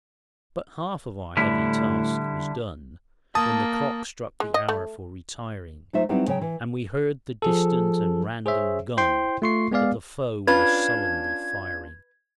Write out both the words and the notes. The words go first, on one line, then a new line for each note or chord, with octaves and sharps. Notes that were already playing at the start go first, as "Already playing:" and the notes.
But half of our heavy task was done When the clock struck the hour for retiring; And we heard the distant and random gun That the foe was sullenly firing.
A2 D3 G3 E4
A#3 A5 D#6
G#3
D#5
A3
F#3 A3 D#4 F4 C5 E5
F#3 G3 B3 C4 D#4 E4
C#3 F#3 C#5 G5
E3
F3 G#4 A4
G#4 C5 C#5 E5
E4 C5 G5 C6
A3 F4 C6 C#6 C7
G#3 B3 G#4 D5 F5
C#4 D4 F4 B4 G#6